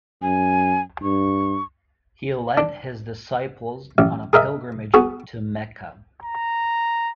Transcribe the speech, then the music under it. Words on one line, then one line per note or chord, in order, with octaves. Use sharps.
He led his disciples on a pilgrimage to Mecca.
F#2 G#5
G2 C#6
D4
A1
G#4 A#4 D#5 E5
B3 F#4 G#4
A#5